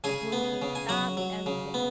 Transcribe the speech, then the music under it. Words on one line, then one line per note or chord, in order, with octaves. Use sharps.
The bullying stopped, everything.
C#3 G#4 G#5
B3
C#3
G#5
F#3 F#4 F#5
F#3
C#3
B3